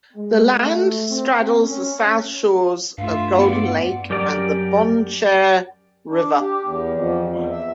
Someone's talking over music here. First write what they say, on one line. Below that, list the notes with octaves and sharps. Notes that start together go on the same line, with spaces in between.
The land straddles the south shores of Golden Lake and the Bonnechere River.
G#3
A3
C4
C#4
G2 A3 F4 E5 F5
B3 D5 F#5
F#2 G4 A#4 D5
D4
G4
E2
F2
E2
E5